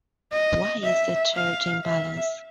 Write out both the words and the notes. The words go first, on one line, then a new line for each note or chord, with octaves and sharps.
Why is there charge imbalance?
D#5
E5
F5
E5